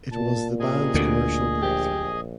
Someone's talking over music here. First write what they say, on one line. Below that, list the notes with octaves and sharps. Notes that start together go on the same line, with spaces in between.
It was the band's commercial breakthrough.
A#2 A5
C3 G#4 D#5 G#5
D2 D3
A#1 G4
A#1